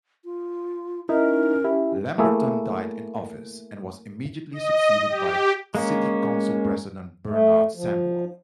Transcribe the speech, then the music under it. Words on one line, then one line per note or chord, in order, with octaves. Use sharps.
Lamberton died in office, and was immediately succeeded by City Council President Bernard Samuel.
F4
C#4 D#4 E4 A#4
E4 G4
A3 A#3 E4 G#4 E5
D#5
G4
G#3 A#3 C#4
A3
F3